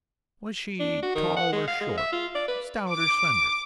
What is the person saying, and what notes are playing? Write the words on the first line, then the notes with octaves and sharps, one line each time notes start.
"Was she tall or short, stout or slender?"
D4
F#4
D#3
F#5
G#3
F5
G#3
E5
F4
D5
B4
D6